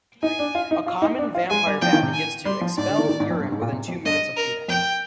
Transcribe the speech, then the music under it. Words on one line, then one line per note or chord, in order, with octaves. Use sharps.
A common vampire bat begins to expel urine within two minutes of feeding.
D#4 G#5
D4
F4
D#4
F4
D#4
D4
F4
G#3 G#5
G3
F3 G5
D#3
C3
G#5
G3 C6
F3
G#2 D5
D3
D#3
D#3
G#2
F2
G2
G#2
A#2
C3
F2
G2 D#5
A#4
F2 G5